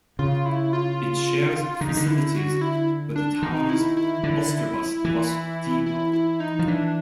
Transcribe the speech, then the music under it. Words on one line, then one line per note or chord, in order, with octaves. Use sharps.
It shares facilities with the town's Ulsterbus bus depot.
C#3 F4
E4
F4
D3 D#4
C#3
D3
E4
F#4
E4
D4
D#3 D#4
E4
E4
D3
E3
E4
E4
D#4
F3
E3 D4